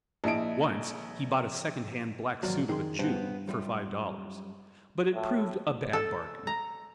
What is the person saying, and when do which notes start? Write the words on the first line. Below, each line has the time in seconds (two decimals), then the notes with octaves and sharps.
Once he bought a second-hand black suit of a Jew, for five dollars, but it proved a bad bargain.
0.24 A#1 E4 D#5 A5 D7
2.43 G#1 D#2 F3 F#3 A#3 D5
2.69 D#3 G#4 C6
2.99 G2 B3 C5
3.47 F#2 G3 F4
5.14 A2
5.93 A4
6.47 A#5